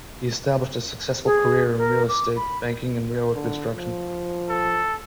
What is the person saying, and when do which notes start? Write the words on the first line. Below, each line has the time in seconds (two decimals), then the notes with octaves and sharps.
He established a successful career in real estate, banking and railroad construction.
1.25 G#4
1.77 A#4
2.09 D6
2.36 B5
3.34 D3
3.75 F3
4.49 A4